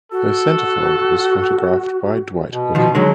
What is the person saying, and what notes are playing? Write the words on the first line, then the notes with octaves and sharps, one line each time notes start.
Her centerfold was photographed by Dwight Hooker.
F#4 A4
B2
B2 D#3 F3
D3 D#3 F#3 G#3